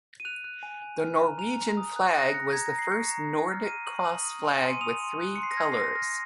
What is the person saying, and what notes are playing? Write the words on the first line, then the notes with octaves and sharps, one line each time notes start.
The Norwegian flag was the first Nordic cross flag with three colours.
D#7
F#6 F7
F#6
G#5
G#5
F6
A#5
A#5 F7
A#5
D#6
F#6
F#6 A#6
F#6 C#7
A#5 G#6
A#6
A#5
C7
C#6 C#7
A#5
A#5
F6
F6 D#7
C#6 F#7
D#6 F#7
D#6
G#5
C6 C#7
D#7
D#6 F7
C6
F#6
C#7
C6
C7
A#6
F6 G#6
C7
C6 A#6
F6 A#6